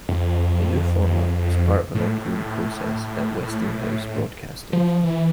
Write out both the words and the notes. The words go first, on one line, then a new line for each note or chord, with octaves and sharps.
The new format was part of an ongoing process at Westinghouse Broadcasting.
F2
A2
F3
E3